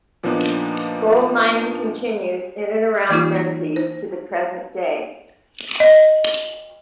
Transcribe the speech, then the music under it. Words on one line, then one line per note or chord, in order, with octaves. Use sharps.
Gold mining continues in and around Menzies to the present day.
A#2 F3 A#3 B3 D4 D#4
E3 A#3 D#4 F4
C5
D#5